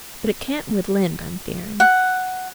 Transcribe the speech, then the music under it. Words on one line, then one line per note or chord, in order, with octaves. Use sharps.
But it can't with Lynde, I'm fearing.
F#5